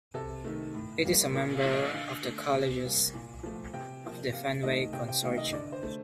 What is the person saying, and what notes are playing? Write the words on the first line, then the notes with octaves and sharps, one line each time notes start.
It is a member of the Colleges of the Fenway consortium.
C3 A4
D#3 A3
A2
G3 A#3
A#2 A#4
F5
F3 A3
D#5
D3 F5
A3
C3
G3 A#3
A#2
F3 A3
C3 G5
F3 A#3
C3 F5
D#3 A3 D#5
C3 G5
G5
D#3 A3 F5
D#5
D3 D5
C5
A3